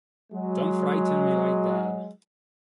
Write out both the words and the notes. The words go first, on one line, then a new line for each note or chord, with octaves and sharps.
Don’t frighten me like that!
F#3 G#3